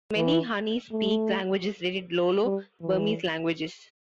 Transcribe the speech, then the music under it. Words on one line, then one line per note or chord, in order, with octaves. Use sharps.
Many Hani speak languages related Lolo-Burmese languages.
E3
A3
G3
E3